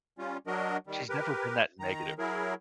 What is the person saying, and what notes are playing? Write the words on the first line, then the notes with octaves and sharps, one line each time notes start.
She's never been that negative
G3 C#4 F4
F#3 D4 F#4 A#4 D#5
D#3 G3
G4 A#4 B4
D#3 A#5
F#3 E4 G#4 A#4